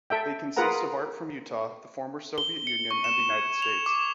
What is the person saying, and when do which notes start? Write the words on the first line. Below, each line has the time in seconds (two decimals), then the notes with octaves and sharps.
They consist of art from Utah, the former Soviet Union and the United States.
0.10 A4 E5 G5
0.57 F4 G#4 A#4 B4 F#5 A#5
2.38 G7
2.67 C#7
2.91 C#6
3.04 E7
3.30 G#6
3.62 F7
3.86 D6